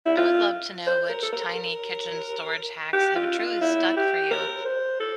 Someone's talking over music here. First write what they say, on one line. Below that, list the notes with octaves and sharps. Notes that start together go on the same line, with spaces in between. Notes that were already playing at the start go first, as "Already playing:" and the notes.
I would love to know which tiny kitchen storage hacks have truly stuck for you
E4
F4
C5
A#4
A4
A#4
A#4
G4
F4
F4
E4
G4
A#4
C5
A4